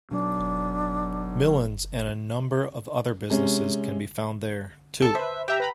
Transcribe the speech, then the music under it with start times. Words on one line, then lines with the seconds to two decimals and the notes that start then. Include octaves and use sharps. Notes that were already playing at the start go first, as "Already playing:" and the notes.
Millyn's and a number of other businesses can be found there, too.
0.11 B2 F#3 D4
3.30 C3 G#3 C#4
5.02 A4 A5
5.15 B4 C5 E5
5.48 G4 E5 G5 A#5
5.60 B4 A#5 B5